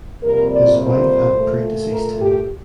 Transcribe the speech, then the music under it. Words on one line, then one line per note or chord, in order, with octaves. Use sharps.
His wife had predeceased him.
F2 C3 G3 A#3 A#4
D5
C5
A#2 A3
A#4
G4